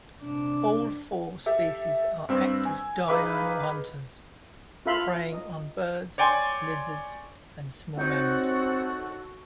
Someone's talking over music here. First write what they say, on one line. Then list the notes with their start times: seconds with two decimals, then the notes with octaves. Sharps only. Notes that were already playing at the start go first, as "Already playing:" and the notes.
All four species are active diurnal hunters, preying on birds, lizards, and small mammals.
0.22 C3 D4
1.46 G4 A4 E5
2.29 G2 C4 E6
2.65 G#5
3.08 D#4 G#4 B4 F5 B5 D6
4.86 F4 A4 E5 F5 B5 C6
5.32 D#5
6.18 C#5 D5 G5 G#5 C6
7.97 C4 D#4 F#4 A4 C#5 F#5